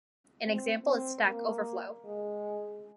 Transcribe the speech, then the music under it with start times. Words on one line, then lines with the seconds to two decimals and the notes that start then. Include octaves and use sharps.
An example is Stack Overflow.
0.45 C4
0.84 C4
1.25 A#3
2.05 G#3